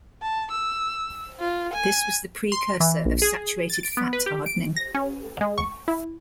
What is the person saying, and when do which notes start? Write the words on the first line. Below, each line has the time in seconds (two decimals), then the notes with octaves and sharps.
This was the precursor of saturated fat hardening.
0.22 A5
0.51 E6
1.39 F4
1.73 G#5
2.52 C6
2.80 E3
3.05 A#1
3.22 G#4
3.70 A6
3.83 D7
3.97 B3
4.13 B4
4.26 G4
4.46 D7
4.77 A#6
4.95 C#4
5.41 G#3
5.58 C#6
5.88 E4